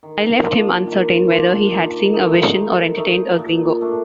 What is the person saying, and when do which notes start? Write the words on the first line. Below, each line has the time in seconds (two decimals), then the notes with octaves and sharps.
I left him uncertain whether he had seen a vision or entertained a gringo.
0.03 D#3
0.46 A#3 D4 F4
0.87 D#3
1.29 A#3 D4 F4
1.71 D#3
2.14 A3 D#4
2.56 D#3
2.97 A3 D#4
3.39 A#2
3.81 A3 D4